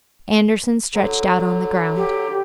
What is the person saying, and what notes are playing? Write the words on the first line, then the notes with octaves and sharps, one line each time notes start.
Andersen stretched out on the ground.
D3 F#3
G4